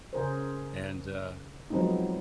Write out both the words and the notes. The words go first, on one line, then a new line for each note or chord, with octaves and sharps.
And, uh
C#3 G#4 A#4 C5
F3 F#3 G#3 B3 C4 D#4